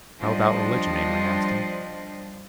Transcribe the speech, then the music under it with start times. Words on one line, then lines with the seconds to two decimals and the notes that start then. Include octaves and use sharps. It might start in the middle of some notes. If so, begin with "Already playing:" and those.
"How about religion?" Amory asked him.
0.19 F3 G3 D4 C5 D#5